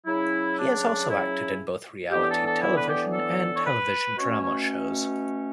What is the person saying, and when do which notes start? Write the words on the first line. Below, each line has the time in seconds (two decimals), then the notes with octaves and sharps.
He has also acted in both reality television and television drama shows.
0.06 C#3 F#3 C#4 E4
0.57 D4
1.08 E4
2.11 A2 E3 B3 D4 G4
2.28 A4
2.45 A4
2.62 E4
2.75 B4
2.88 G4
3.13 A4
3.55 C#5
3.64 B4
4.16 B2 A3 C#4 C#5
4.29 C#5
4.41 C#5